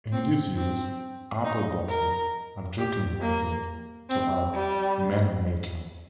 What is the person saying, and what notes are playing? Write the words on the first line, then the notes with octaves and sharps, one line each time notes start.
In this use Apple Boxes are jokingly referred to as "Man Makers".
C4
C4
D#4
A#4
G4
A#3
C4
G3